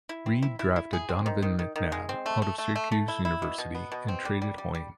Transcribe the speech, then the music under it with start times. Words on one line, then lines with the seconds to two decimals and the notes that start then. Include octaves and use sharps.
Reid drafted Donovan McNabb out of Syracuse University, and traded Hoying.
0.09 E4
0.26 C4
0.42 E4
0.59 E4
0.76 E4
0.93 G#4
1.09 C4
1.26 D#3
1.42 D#3
1.59 D#3
1.76 D#3
1.92 G#3
2.09 C4
2.26 A3
2.42 A3
2.58 A3
2.75 A3
2.92 A3
3.08 E4
3.25 E4
3.42 B2
3.58 B2
3.75 B3
3.92 B2
4.08 C4
4.25 G3
4.42 G3
4.58 G3
4.75 G3